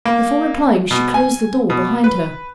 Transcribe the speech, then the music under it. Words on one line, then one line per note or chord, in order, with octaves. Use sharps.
Before replying she closed the door behind her.
A#3
B2
G#5
B2
B4